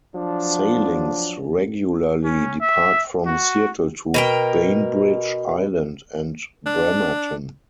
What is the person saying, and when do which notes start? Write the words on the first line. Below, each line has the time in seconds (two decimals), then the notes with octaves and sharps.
Sailings regularly depart from Seattle to Bainbridge Island and Bremerton.
0.15 F3 F#3 D4
2.24 C#4
2.61 E5
3.26 F#4
4.14 B2 A#4 G5
6.66 D4